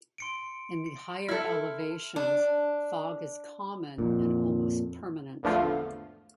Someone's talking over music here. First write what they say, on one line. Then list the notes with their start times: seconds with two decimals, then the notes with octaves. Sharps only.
In the higher elevations fog is common and almost permanent.
0.18 C6 C#7 D7
0.86 C#7
1.29 E4 A4 F6
2.16 D4
3.98 F2 A#2
5.43 G#1 E2 D3 F3 A3 F4